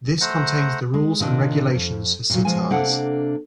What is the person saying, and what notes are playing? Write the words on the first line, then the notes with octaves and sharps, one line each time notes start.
This contains the rules and regulations for Citars.
A3 C5 F#5 A#5
G#3
A#2 D#3 D4 D#5
F2
A#2 C#3 F#3
B2 F3 G#3 G#5
C3 A#3 D4 A4 F#5